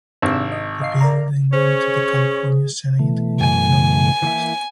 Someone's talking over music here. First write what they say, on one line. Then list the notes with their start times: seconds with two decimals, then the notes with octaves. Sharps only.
The bill then went to the California Senate where it narrowly passed.
0.22 G#1 C3 D4 E6
0.52 D#5
0.81 D#5 F5 C7
1.01 A#4 D5 A#5
1.53 C#4 G#4 C5 C#5
2.99 B2 E3 A3
3.40 F#2 G#5
4.22 E3 A#3 E4